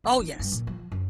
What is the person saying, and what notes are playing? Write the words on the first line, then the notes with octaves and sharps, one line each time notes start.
Oh, yes.
E1
D#4
G2
A#2
F3
F#2